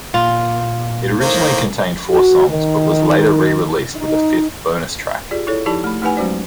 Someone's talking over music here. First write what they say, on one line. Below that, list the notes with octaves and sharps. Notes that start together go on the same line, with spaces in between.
It originally contained four songs, but was later re-released with a fifth bonus track.
A#2 F4
A2 D#3 A#3 C5
F#4
D#3
D#4
F4 G4 G#4 D5
E4 A4 C#5
F3 D#4 E4 G4 D5 A5
A3 B5
A3 D#4 G4 B4 F#5 G#5
F#3 G#3 C#4 F#4 C5 D5